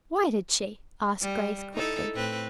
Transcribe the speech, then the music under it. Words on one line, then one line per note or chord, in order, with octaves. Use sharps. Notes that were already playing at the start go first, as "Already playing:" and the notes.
"Why did she?" asked Grace quickly.
G3
D#4 E4 A4
A2 C4 B4